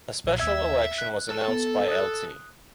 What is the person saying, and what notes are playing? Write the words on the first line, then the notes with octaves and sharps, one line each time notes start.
A special election was announced by Lt.
B1 A#2
D#2 E5 E6 G#6
F#6
A4
B3
D#6 F#6